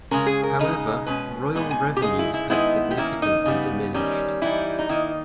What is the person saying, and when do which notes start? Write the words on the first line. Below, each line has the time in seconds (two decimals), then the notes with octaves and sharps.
However, royal revenues had significantly diminished.
0.11 C#3 G#3 C#4 A#4
0.27 G#4
0.43 A#4
0.59 C#3 G#3 D#4
1.06 B2 G#3 C#4 B4
1.55 A#2 G#3 B3 D#4
1.71 G#5
1.97 G4
2.02 C#3 G#3 D#4 G#4
2.19 E4
2.34 E4
2.50 D#3 G#3 B3 D#4 E4
2.91 G4
2.98 D#3 A#3 C#4 E4
3.22 D#4
3.46 C#3 G3 B3
3.94 D#3 G3 C#4
4.42 E3 G3 B3 D#4 E4
4.79 D#4
4.89 D#3 A#3 D#4 E4